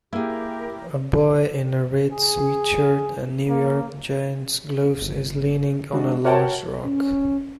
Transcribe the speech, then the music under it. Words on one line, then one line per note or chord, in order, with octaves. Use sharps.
A boy in a red sweatshirt and New York Giants gloves is leaning on a large rock.
A#3 E4 G4 G#4 A#4
G#4
A#3
G1
D#3 G#3 D4 F#4
F#4 A#4 C#5 F#5 G5 A5
C#4